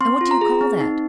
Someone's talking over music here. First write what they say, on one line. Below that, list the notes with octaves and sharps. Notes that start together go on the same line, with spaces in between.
"And what do you call that?"
C4 C6
F4
A#5
G#4
C4
D#4